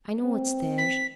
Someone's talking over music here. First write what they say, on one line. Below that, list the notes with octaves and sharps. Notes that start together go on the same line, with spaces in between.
I know what's there.
C4
B6